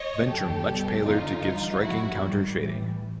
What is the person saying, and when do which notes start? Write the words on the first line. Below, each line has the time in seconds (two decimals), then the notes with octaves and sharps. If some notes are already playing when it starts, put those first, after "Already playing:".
Ventrum much paler to give striking counter shading.
Already playing: C#5 D#5
0.27 F#2 D3 F#3 G4 A4
0.66 C2 B2 G3
1.04 F2 D3 F#3 D#4 F4
1.43 G2 E3 G3
1.81 D#2 D#3 F#3 E4 F#4
2.20 G#2 D#3 G3
2.58 A2 E3 G3